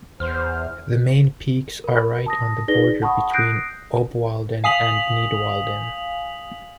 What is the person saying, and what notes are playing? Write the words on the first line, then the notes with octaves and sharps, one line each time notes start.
The main peaks are right on the border between Obwalden and Nidwalden.
E2 C5 F6
A#4 B5
A5 D#6 A#6
D#4 G#4 B4 D5 A#6 G7
F#5 A5 B5 C#6 D#6
D#6 F#6 G6 A#6 C7 D7
F5 G#5 D#6 B6 F7 F#7